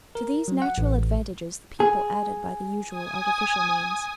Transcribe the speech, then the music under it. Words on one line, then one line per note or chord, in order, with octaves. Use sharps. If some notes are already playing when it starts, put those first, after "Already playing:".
To these natural advantages the people added by the usual artificial means.
A#4
F#3
F#5
A1
G#4
G#5 D#6